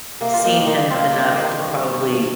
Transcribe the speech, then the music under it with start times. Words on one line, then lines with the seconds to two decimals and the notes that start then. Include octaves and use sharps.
seen him enough to probably
0.21 C3 A#3
0.33 F4
0.38 D#3
0.44 A#3 D#4
0.56 G3
0.67 A#3 D#4
0.73 G3
0.90 C3 C4 F4
1.07 D#3
1.12 D#4 G4
1.24 G3 D#5
1.36 G4 C5
1.41 D#3
1.59 G2
1.76 G2
1.93 G2
2.10 G2